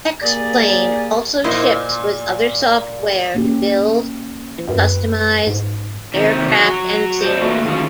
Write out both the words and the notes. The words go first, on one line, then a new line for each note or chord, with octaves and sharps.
"X-Plane" also ships with other software to build and customize aircraft and scenery.
A#3 G4 G#4 D5
A#2 E4 C5 D#5
A#3 C#4 G4
F#2 G4 B4
G#2
C3 D#3 G4
F#4 C#5
C5 D5 D#5 A5
E3 F#3 A3 A#3 F4 F#4
D#3 G#3 C#4 F4 F#4